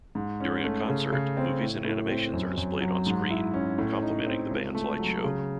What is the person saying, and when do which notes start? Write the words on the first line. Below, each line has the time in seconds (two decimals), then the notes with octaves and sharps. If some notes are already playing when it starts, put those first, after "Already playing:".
During a concert, movies and animations are displayed on-screen, complementing the band's light show.
0.15 G#2
0.40 C#4
0.64 A3
0.88 C#3
1.12 C#3
1.37 C4
1.61 A2
1.85 A2
2.09 C4
2.33 F#2
2.57 F#2
2.81 F#3
3.06 G#2
3.30 E4
3.54 C#4
3.78 A2
4.02 D#4
4.27 C4
4.51 C#2
4.75 A3
4.99 F#3
5.24 C#3